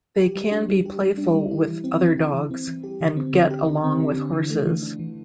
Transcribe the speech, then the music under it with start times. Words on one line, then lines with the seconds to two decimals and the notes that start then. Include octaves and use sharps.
They can be playful with other dogs, and get along with horses.
0.18 G4
0.36 G3
0.51 D4
0.69 G3
0.86 G4
1.02 G3
1.18 D4
1.35 G3
1.51 E4
1.68 E3
1.84 C4
2.01 E3
2.18 E4
2.34 E3
2.51 C4
2.68 E3
2.83 G4
3.01 D3
3.17 C4
3.34 D3
3.50 G4
3.68 D3
3.84 C4
4.00 D3
4.17 D4
4.33 E3
4.50 A3
4.66 E3
4.83 D4
4.99 E3